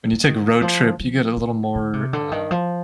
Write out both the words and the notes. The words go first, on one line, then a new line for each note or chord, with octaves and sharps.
when you take a road trip, you get a little more, uh
F3
D#3
F3
F3
D#3
D3
C3
D3
D#3
F3